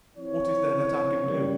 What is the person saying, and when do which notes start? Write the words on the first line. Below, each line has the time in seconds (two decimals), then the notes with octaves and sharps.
What is there that I can do?
0.17 F3 C4 E4 C#5
1.24 C#3 E3 G3 A#3